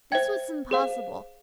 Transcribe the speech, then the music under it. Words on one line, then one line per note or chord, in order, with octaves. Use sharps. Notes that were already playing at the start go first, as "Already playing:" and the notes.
This was impossible.
C5 E5 G5 G#6
G#4 C5 F5